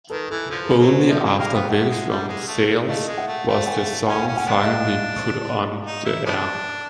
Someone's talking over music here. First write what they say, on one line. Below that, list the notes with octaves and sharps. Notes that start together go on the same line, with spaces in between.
Only after very strong sales was the song finally put on the air.
D#3 A4 B4
E3 A4
D3 F3 A4
G#4 A#4
F#3 A#4 C5
A#4 C5
F3 D5 E5
F#3 D#5 F5
A#3 F5 G5
B3 F5 G5
A3 E5 F#5
G#3
G3
G#3
A3
A3 D#5 F5
G#3
E5 F#5
A3
A3 F5 G5
F#5 G#5
C#4 F#5 G#5
G#5
C#4 F5 G5
C#4 F#5 G#5
A3 B3 D4
F5 G5
E5
D#5 F5
D#4
E4
A3 B3 D4